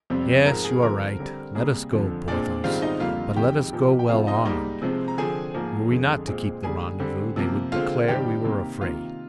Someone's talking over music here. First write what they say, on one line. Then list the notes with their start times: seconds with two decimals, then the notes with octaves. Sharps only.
Yes, you are right; let us go, Porthos, but let us go well armed; were we not to keep the rendezvous, they would declare we were afraid.
0.10 F2 C3 G3 C4
0.46 G#2 F3 C4 A#4
0.64 G#4
0.82 D3 F3 C4 A#4
1.19 D3 G3 C4
1.55 C3 G3 A#3 G#4
1.91 F2 D3 F3
2.28 A#2 G#3 C4 D4 D5
2.64 G#2 D#3 G3 C4 F4 F5
2.82 D#4 D#5
3.00 F2 D3 G3 A#3 F4 F5
3.37 F2 D#3 G#3 G4 G5
3.73 A#2 F3 A#3
3.99 G5
4.09 C3 F3 G#3 C4 F4 F5
4.27 D#4 D#5
4.45 G#2 G3 A#3 D#4 D#5
4.82 C3 F3 G#3 C4
5.08 A#5
5.18 D3 F3 C4 G#4 G#5
5.54 G#2 F3 A#3
5.91 F2 D3 G#3
6.27 A#2 G#3 C4
6.64 D3 G3 A#3 G#4 G#5
6.99 D3 G3 C4
7.36 C3 F3 A#3
7.72 D3 G#3 C4 F4 F5
8.08 G2 D#3 G3 C4 G4 G5
8.45 C3 D#3 A#3
8.81 C3 D#3 A#3 F4 F5